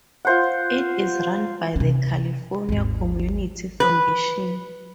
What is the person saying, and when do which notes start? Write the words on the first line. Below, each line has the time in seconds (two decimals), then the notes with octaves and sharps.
It is run by the California Community Foundation.
0.25 F4 C5 F#5
1.76 C3 C#4
2.69 G#1 D#2
3.80 B4